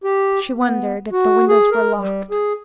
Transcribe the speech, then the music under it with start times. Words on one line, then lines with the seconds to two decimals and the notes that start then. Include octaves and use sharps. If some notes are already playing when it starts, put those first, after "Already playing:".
She wondered if the windows were locked.
0.04 G4
0.59 B3
1.12 F#4
1.48 G#4
1.72 A#4
1.98 G3
2.31 G#4